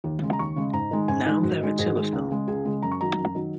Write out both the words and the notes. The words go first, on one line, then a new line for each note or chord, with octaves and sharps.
Now there are two of them.
D#2
C#3 G#3
A#5
D#2 C#6
C#3 G#3
G#2 A#5
D#3 G#3
G#2 G#5
D#3 G#3
G#2 F#4
D#3 G#3
G#2 G#4
F#4
D#3 G#3 G#4
C#2
C#3 G#3
C#2 G#4
C#3 G#3
F#2 A#5
C#6
D#3 F#3 A#5
F#2
D#3 F#3